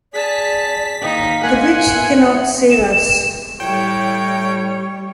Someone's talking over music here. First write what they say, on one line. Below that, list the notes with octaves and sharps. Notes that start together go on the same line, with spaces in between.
The witch cannot save us.
G#4 D5 A5 B6
D#2 D#4 C5 F5 G5
A#3 F#5 G#5 C6
B3 E5
E7
A2 G3 C#5 G5